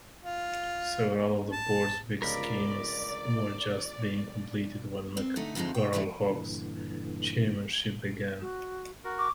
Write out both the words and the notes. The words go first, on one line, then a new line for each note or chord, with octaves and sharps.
Several of the Board's big schemes were just being completed when McGarel-Hogg's Chairmanship began.
F4
A5
G1 C#2 F3 A#4 D5 B5 D6
C4
D3 A3 D#4
F2 D3 F3 G#3 D#4
G5
A2 C#3 E3 G#3 A3 G4
G2 A#2 D3 E3
F#4
F#4 A#4
C#6 D6